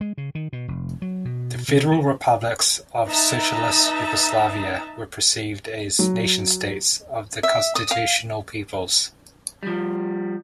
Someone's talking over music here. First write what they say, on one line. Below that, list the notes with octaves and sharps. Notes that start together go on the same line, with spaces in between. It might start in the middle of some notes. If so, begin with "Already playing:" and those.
The federal republics of Socialist Yugoslavia were perceived as nation-states of the constitutional peoples.
G#3
C#3
D#3
B2
F1
F#3
B2
C3
D#3
D#4 B4 D#5 E5 A5 A#5
F#3
E5
D#6
F5
F3 G3